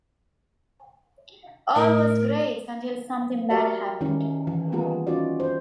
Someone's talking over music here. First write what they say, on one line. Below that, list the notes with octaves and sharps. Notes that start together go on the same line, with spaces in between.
All was great until something bad happened.
A2 A#4
F#4 G4 A#4 D5 E5
D#3 C#4 E4
E3
G3 A#3 B3 F4 G#4
C#4 D#4 F4 F#4 D5
C5